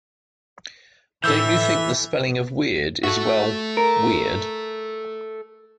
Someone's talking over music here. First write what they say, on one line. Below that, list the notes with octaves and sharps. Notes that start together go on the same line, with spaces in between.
Don't you think the spelling of weird is, well, weird?
A2 E3 A4 E5 E6 G6
F#4 A4 E5
A#4